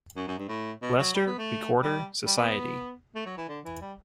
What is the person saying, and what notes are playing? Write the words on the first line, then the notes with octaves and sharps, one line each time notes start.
Leicester Recorder Society.
F#2
F#2
G2
A2
B2
F#3
G3
B3
A3
G3
G3
B3
A3
F#3
E3
D3
E3
G3